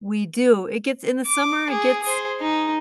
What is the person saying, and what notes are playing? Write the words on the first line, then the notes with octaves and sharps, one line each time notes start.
We do. It gets in the summer, it gets,
D6
G#4
G#4 C5
D#4